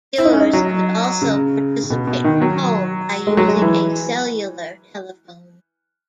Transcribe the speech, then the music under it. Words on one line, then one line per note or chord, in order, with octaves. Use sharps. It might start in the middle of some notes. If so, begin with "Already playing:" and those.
Viewers could also participate from home, by using a cellular telephone.
E4
D#4
C#4
D#4
F#3
C#3
C#3
B2
B2
D#3
F#3
G#3
F#3
G#3
E3